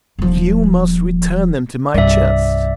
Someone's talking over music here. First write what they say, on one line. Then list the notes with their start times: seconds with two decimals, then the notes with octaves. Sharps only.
"You must return them to my chest."
0.19 D#1 F3
1.94 C2 G2 D5 E5